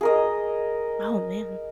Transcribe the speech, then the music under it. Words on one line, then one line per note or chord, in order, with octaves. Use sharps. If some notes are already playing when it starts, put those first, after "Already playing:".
Oh, man.
G#4 A#4 D#5